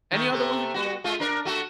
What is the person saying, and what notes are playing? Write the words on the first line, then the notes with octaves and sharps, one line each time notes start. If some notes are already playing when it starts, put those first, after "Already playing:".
any other ones that you can think of?
D#3 A3
C3 A3
G3 F#4
G#3 A3 F4
D4 A#4
A3 F#4 A4